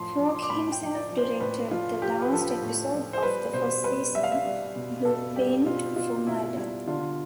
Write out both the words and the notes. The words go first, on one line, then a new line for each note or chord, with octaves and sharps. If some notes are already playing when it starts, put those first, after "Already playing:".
Falk himself directed the last episode of the first season, "Blueprint for Murder".
Already playing: A2 F3 C6
F3
D6
C6
D6
A2 B5
G5
F3
D5
F3
C5
A2 B4
F3 F4
F3 G4
B4
F3 A4
A2
F3
C5
G3 B4
B2 C5
G3 B4
G3 E5
F5
E5
G3
B2
B2 A4
G3 G4
B2 F4
B2 F4
B2 E4
G3 E4
D3 F4